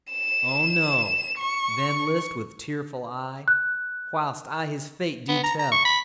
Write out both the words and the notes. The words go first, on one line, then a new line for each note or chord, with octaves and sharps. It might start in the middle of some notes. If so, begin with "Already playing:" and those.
O no. Then list with tearful eye, Whilst I his fate do tell.
E7
C#6
F#6
B3
A#5
A#5
C#6
B5